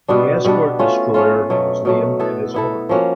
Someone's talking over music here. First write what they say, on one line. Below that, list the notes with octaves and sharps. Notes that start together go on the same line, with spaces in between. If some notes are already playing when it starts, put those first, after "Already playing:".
The escort destroyer was named in his honor.
B2 G3 B3 D4
B2 G3 B3 D4
A3 C#4 F4
A3 C#4 F4
B2 F#3 A3
B2 F#3 A3
B3 E4 A4
B3 E4 A4
F3 A#3 C#4 F#4